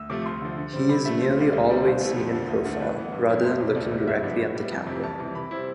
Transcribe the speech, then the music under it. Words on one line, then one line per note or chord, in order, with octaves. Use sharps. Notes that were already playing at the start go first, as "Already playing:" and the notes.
He is nearly always seen in profile, rather than looking directly at the camera.
Already playing: D2 E6
C3 F3 A3 D6
D2 C6
D3 F3
D3
G3 C4
C3 B5
F3 A3 E5
D2 C5
D3 G3 C4 F4
D2
D3 G3 C4
B2 C5
A3 E4
F2 C5
D3 F3
D2
D3 A3
A2 B4
E3 B3
G2
F3 C4 E4
F2 C5
C3 F3
D2 D5
C3 G3
G2 E5
F3 B3 D4
A2
G3 B3
F2
C3 E3
C2 A5
C3 E3
C3 B5
G3 C4 E4